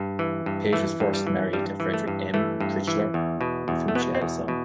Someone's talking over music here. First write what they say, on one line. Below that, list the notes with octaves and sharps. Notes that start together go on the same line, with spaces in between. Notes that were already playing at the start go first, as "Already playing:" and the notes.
Page was first married to Frederick M. Tritschler, with whom she had a son.
Already playing: G2
E3
G2
E3 A3
G2
G3
E3
G2 G3
E3
A3
G2
E3 A3
G2
E3
E2
B2
E2
A3
B2 B3
C4
E2
B2